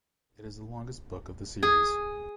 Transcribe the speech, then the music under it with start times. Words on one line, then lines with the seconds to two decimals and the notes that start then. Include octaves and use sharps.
It is the longest book of the series.
1.63 G#4